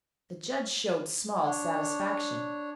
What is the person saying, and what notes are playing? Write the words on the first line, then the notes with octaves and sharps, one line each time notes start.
The judge showed small satisfaction.
D4 C#5